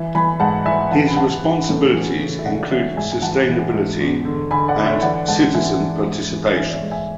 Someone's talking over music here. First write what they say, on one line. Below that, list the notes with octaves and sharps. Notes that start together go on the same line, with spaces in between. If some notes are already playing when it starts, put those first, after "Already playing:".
His responsibilities included sustainability and citizen participation.
Already playing: E3 E5 G#5
E3 G#5 B5
G#2 F#5 A5
E3 E5 G#5
E3 F#5 A5
B5
E3 F#5 A5
E3
A2
E3
C#3
E5
C#3 D5 F#5
F#5
E3 C#5 E5
G#2 E5 G#5
G#5
E3 F#5 A5
E3
G#2
E2
D3
D3 G#5 B5
D5 F#5
D3
C#5 E5
E3 D5 F#5
G#2 F#5 A5
E3 E5 G#5
E3
G#2
E3
E3 E5 G#5
D5
C#5 E5
G#2
E5 G#5